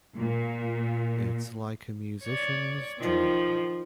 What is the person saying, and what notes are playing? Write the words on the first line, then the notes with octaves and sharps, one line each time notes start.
It's like a musician's dream.
A#2
C#5 D5
D#3 F3